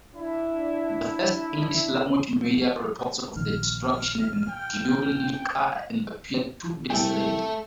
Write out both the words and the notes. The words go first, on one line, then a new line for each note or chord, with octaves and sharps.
The first English-language media reports of the destruction in Guernica appeared two days later.
D4 E4
A#1 D#3 F6
G5
C2 A3 A4 G5